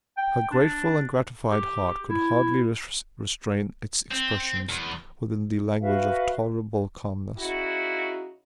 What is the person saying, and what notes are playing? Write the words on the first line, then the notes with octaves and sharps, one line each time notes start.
Her grateful and gratified heart could hardly restrain its expressions within the language of tolerable calmness.
G5
D4
G4
E4
C4
E2
F#4 B4 E5 F5
C#3 D#4 E4 F#4